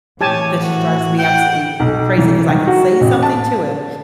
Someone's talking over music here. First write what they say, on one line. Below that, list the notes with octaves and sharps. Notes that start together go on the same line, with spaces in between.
that just drives me absolutely crazy 'cause I can say something to him,
A2 E3 G4 C#5 G#5 A5
F#4
F#5 G5
B1
E3
D#3
F#4
A1
A5